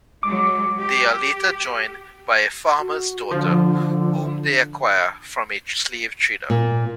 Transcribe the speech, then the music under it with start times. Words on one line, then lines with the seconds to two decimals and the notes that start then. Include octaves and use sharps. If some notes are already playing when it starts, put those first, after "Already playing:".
They are later joined by a farmer's daughter, whom they acquire from a slave-trader.
0.23 F#3 G#3 D6
0.78 G4
2.80 F#4
3.31 D3 F3
6.50 A#2